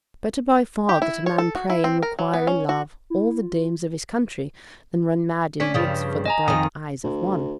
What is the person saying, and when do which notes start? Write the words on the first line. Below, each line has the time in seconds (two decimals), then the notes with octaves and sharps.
Better by far that a man pray and require in love all the dames of his country, than run mad in woods for the bright eyes of one.
0.89 G4
1.02 E4
1.26 C#5
1.38 A4
1.55 F#4
1.70 E4
1.84 C4
2.03 A#4
2.19 F#3
2.34 B3
2.47 C#4
2.69 F#4
3.10 E4
3.42 F4
5.60 C#4 D4 B6
5.74 G2 C#3 F3
6.26 D#5 G#5 A#5
6.48 F2 D#3 D#6
7.03 D2